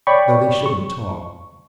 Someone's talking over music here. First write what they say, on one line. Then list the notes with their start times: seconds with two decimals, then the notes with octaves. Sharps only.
Though they shouldn't talk.
0.07 C#5 D5 G5 B5 C#6
0.66 C#6